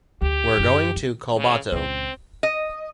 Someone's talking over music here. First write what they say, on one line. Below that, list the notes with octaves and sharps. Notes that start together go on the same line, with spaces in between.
We’re going to Collbató.
D2 G4
F#2 E4
D#3
C#3
C#2 A#2 C4
D#5